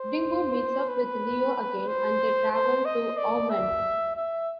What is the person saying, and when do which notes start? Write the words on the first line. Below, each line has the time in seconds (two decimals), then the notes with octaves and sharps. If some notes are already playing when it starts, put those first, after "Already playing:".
Dingo meets up with Leo again, and they travel to Aumaan.
Already playing: C5
0.89 B4
1.87 C5
2.52 C5
2.85 D#5
3.17 D5
3.50 E5
4.16 E5